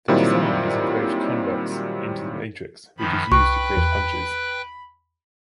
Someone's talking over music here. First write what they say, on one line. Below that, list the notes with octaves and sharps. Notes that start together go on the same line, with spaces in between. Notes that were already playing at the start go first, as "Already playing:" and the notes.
The design is engraved convex into the matrix, which is used to create punches.
A#2 D#3 F#3 G3 C4 E4
F#2 D#3 F3 B5
C2 B4 G5 C#6 F#6
E2